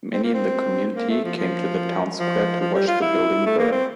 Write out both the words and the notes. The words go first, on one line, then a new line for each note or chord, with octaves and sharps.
Many in the community came to the town square to watch the building burn.
C4
A#3
C4
A#3
A3
F3
F3
F3
F3
G3
F4
E4
A3
A#3
C4